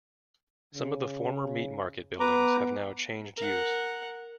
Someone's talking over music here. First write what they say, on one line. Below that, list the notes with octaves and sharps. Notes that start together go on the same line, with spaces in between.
Some of the former meat market buildings have now changed use.
C#3
B3 B4 A#5 D6
A#4 F#5